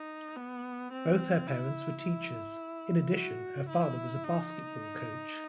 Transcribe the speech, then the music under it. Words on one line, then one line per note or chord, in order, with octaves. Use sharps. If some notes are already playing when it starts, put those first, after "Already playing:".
Both her parents were teachers; in addition, her father was a basketball coach.
Already playing: D#4
B3
C4
E4
E4
F#4
E4
D#4